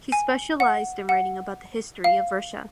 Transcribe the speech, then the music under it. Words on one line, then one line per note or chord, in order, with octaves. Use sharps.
He specialized in writing about the history of Russia.
G#5
F#5
F#5
F5